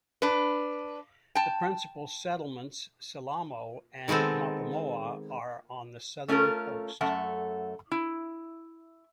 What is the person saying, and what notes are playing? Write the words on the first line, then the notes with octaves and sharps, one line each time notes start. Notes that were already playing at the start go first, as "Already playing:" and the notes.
The principal settlements, Salamo and Mapamoiwa, are on the southern coast.
D4 B4
G5 A5
D#3 G#3 B3 C4 A4
A3 C#4 F4 A4 A#4
F#2 A3 F#5 A5
E4